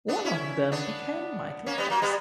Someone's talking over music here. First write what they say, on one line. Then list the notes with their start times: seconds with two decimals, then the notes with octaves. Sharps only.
One of them became Michael Jackson.
0.08 B3 D4
0.24 C#4 E4
0.72 B3 D4
1.66 A#3 C#4
1.78 G3 B3
1.90 F#3 A#3
2.02 G3 B3